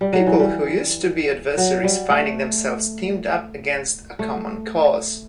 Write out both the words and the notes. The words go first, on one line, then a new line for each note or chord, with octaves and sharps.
People who used to be adversaries finding themselves teamed up against a common cause.
G3
F#3
E3
G3
F#3
G3
A3
A3